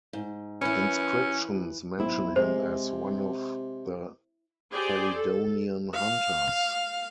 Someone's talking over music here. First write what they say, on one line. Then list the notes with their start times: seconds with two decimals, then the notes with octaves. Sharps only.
Inscriptions mention him as one of the Calydonian hunters.
0.13 G#2
0.61 E3 C#4 B4
1.98 B1 C4 E4
2.36 C3 G#3 C5
4.71 G4 G#4 C5 D5
5.14 A4
5.95 F5